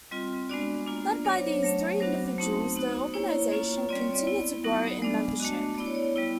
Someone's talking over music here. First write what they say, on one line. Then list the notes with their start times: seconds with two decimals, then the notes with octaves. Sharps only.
Led by these three individuals, the organization continued to grow in membership.
0.11 G3 C4 F4 D#5
0.49 G#3 B3 D4 F#4 D5
0.87 A#3 D4 F4
1.25 F#3 B3 D4 C#5
1.36 C5
1.46 C#5
1.63 F#3 A3 C#4
2.00 F#3 B3 D4 F#4 C5
2.38 A3 C4 D#4 F#4
2.76 B3 D#4 F#4
3.13 A#3 C#4 E4 C#5
3.51 A#3 C#4 F4
3.89 G3 C4 F4 D5
4.01 C#5
4.12 D5
4.27 B3 E4
4.64 F#3 B3 D#4 F#4
5.02 G#3 B3 D4 D5
5.40 A3 D4 F#4 D#5
5.78 B3 E4 D5
5.86 C#5
5.95 D5
6.16 G3 B3 E4